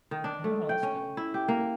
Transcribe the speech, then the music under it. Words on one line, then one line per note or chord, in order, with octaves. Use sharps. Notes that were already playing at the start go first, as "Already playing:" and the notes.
No, that's good.
D#3
D4
A3
G5
C#4
E4
G4
A#3